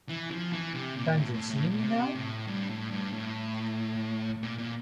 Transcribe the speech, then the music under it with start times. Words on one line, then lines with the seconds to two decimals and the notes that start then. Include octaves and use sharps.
Can You See Me Now?
0.09 E3
0.31 F3
0.53 E3
0.74 C3
0.96 A#2
1.17 A2
1.34 A2
1.50 A2
1.66 A#2
1.83 C3
2.15 A2
2.47 G2
2.69 A2
2.91 G2
3.13 A2
4.43 A#2
4.58 A#2